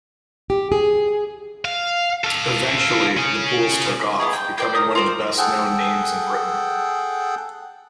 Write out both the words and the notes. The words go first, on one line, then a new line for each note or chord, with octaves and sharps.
Eventually the pools took off, becoming one of the best-known names in Britain.
G4
G#4
F5
A4 F5
C#4 G#4
B3 C#4 G#4 D#5
G5
C5 D5 G5
A#4 D#6
F4 A#4 C5 D5
G#4 A4 F#5 G5